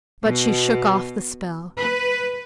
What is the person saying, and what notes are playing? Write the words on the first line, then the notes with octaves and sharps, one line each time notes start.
But she shook off the spell.
B2
B4